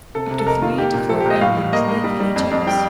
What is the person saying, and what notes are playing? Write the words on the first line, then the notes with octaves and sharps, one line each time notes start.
Up to three to four families live in each house.
C3 A4
C3
A4
F2 A#4
D#3 F4
A#3 G4
A#2
F3 A4
G4
A#2 D#5
D#5
A2 F5
G3
A#3 D#5
A#3
G3
G3
F2
F2
G3 G5